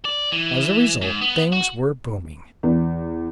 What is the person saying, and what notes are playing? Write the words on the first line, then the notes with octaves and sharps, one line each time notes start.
As a result things were booming.
D5
E3
G#2
B3
F#4
E2